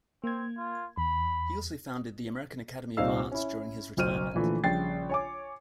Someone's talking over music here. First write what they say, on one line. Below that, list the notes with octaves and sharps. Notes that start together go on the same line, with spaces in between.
He also founded the American Academy of Arts during his retirement.
A#3 C4 G#6
F4
E2 B5
C2 A#2 C4 D#4 F5 E6
C#4 E4
F#1 B1 C5 F6 D#7
A#2 D3 E3 F3 A3
A#1 C#3 G3 G5 A6 C7
C#5 G#5 D6